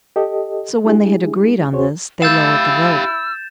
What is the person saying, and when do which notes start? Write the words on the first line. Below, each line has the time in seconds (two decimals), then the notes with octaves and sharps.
So when they had agreed on this, they lowered the rope.
0.16 G4 A4 D#5
0.84 G3 G#3 D4 E4 G4 G#4
1.72 D#2 C#4 F#4 G#4 C5 C#5
2.22 E4 G4 F5 E6 G6 A6 E7